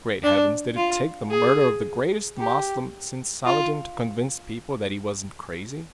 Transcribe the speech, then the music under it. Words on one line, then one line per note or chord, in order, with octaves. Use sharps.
Great heavens, did it take the murder of the greatest Moslem since Saladin to convince people that he wasn't crazy?
D4
F4
G#4
G4
F4